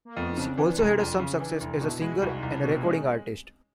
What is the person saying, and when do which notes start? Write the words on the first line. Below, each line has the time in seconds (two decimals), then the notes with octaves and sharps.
She also had some success as a singer and recording artist.
0.05 A#3
0.16 F2 A3 B3
0.32 D#4
0.36 C#3 C4 D4
0.58 E3
0.78 F1
0.99 F2
1.19 C#3
1.40 E3 D4 E4
1.60 F1
1.81 B2 D4 E4
2.01 G#3 E4 F#4
2.21 C2 E4 F#4
2.35 D#4 F4
2.43 C2
2.49 D4 E4
2.63 B2 C4 D4
2.77 E4
2.83 G#3 C#4 D#4